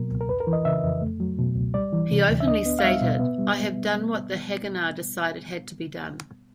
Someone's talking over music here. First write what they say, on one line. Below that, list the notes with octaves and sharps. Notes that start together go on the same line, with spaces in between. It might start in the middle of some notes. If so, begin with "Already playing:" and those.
He openly stated: I have done what the Haganah decided had to be done.
Already playing: B2 F#3 A#3 A#4
C#2
A#4
F2 B4
A#4
E3
D#5
C#3 E5
F2
A3
F#3
B2
C#2
G3 D5
E3
C3
D2
E5
D4 D#5
B3
F5
G3 E5
B2
B3
G3